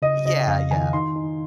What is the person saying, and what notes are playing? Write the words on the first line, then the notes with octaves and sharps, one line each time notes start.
Yeah, yeah.
C#3 D#5
C#3 D#5
F2 F5
D#3 G#5
D#4 C6
D#4